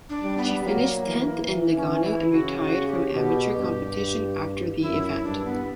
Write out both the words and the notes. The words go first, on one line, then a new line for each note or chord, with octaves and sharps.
She finished tenth in Nagano and retired from amateur competition after the event.
D4
G3
B3
F#3 A#3
E3
E3
C#4
E4
C#3 F#4
F#4
G4
B2
G2
F#2 E4
E4
G2 D4
B3